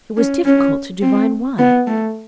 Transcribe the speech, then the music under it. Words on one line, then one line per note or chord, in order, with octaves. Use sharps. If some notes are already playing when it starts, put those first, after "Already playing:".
It was difficult to divine why.
C#4
C#4
C4
B3
A3